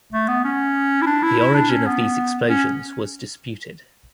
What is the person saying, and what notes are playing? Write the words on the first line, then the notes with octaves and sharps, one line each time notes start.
The origin of these explosions was disputed.
A3
B3
C#4
E4
D4
E4
E4
D4
C#4
B3
C#4